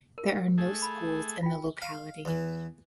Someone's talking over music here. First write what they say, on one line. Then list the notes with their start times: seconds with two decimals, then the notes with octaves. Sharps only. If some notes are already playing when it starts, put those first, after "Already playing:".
There are no schools in the locality.
0.18 A#4
0.58 A3 G#4
0.82 B5
1.43 F4 G5
1.82 F5
2.25 E2 E3